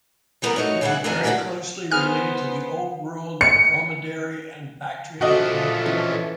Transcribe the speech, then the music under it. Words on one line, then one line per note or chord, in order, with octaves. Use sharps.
It was very closely related to the Old World Dromedary and Bactrian camel.
E3 G3 B3 F4 F#4 A#4
A3 D#4 F#4 C#5
C#3 E3 G3 E4 G#4 F#5
F2 A#2 E3 B3 D4 G#5
E3 A#3 B3 D4 F#4 D5
B3 G#4 C5 F6
C#7
F3 D4 F#4 A4 D#5 E5
E3 C#4